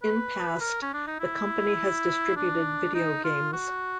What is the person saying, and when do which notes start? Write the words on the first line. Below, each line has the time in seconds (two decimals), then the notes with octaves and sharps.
In past, the company has distributed video games.
0.03 B4
0.61 A#4
0.82 C#4
0.94 D4
1.07 D#4
1.20 E4
2.37 D4
2.95 D#4
3.25 F4
3.53 F#4